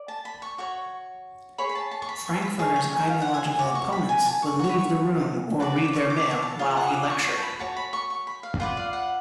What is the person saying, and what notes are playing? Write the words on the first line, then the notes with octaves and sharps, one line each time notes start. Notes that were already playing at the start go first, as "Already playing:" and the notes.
Frankfurter's ideological opponents would leave the room or read their mail while he lectured.
Already playing: D5
A5
B5
C#6
F#4 C#5 C#6
G#4 C#5 B5
B5
A5
A5
C#6
B5
C#6
B5
G#4 C#5 A5
G#5
G#5
F5
F#5
G#5
G#5
F#4 C#5 D6
C#6
B5
G#5
G#5
A5
C#6
F#4 C#5 C#6
B5
C#6
F#4 B4 D5 A5
D6
C#6
D6
C#6
A5
F4 G#4 C#5
F#5
D6
C#6
C#6
A5
B5
F#4 C#5 A5
B5
C#6
C#6
B5
F5
F4 B4 D5 F#5
F5
F#5